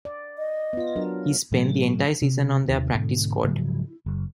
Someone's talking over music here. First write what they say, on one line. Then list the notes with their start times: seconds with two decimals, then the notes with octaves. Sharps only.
He spent the entire season on their practice squad.
0.05 D5
0.38 D#5
0.73 B3 F4
0.96 F#3 D4 A#4
1.52 A2 E3 F#3 A3
2.22 C3
2.68 D#2 C3 D#3
2.95 G#2 B2 D3
3.44 G#2 C#3 F3 F#3
4.06 F#1